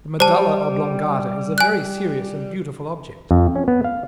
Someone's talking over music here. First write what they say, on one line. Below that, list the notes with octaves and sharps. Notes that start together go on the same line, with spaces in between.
The medulla oblongata is a very serious and beautiful object.
G3 C5 A5
G#5 F#6
F2
C#4
B3
F5